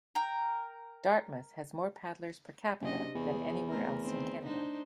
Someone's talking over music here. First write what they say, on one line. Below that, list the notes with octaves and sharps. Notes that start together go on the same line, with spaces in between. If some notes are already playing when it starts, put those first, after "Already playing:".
Dartmouth has more paddlers per capita than anywhere else in Canada.
A#4 G5
F#1 C3 D4 D#5
E2 G#4
A3 C4 A#4
D#3 C4
D4 D#4 C5